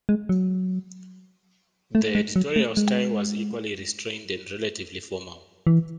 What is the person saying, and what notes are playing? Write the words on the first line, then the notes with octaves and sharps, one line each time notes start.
The editorial style was equally restrained and relatively formal.
G#3
F#3
A3
G#3
F#3
A3
G#3
E3